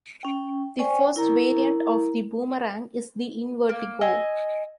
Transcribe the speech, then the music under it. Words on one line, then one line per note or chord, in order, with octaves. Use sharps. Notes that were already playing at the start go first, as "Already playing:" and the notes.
The first variant of the Boomerang is the Invertigo.
C#4 G5
C5 D5 G5 G#5 C#6
E4 A#4 A#5
A#3
D#5 G#5 E6